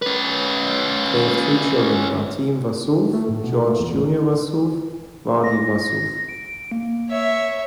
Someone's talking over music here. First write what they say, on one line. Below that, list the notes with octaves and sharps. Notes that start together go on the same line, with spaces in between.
They have three children: Hatem Wassouf, George Junior Wassouf, Wadie Wassouf.
C#4 B4
A3
A2
B2
A3
E2
A1
A#6
D7
A#3
C#5 E5